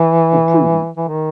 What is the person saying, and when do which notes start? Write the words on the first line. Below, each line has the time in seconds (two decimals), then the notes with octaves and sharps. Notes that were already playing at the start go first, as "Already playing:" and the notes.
or prudent.
Already playing: E3
0.97 E3
1.08 D#3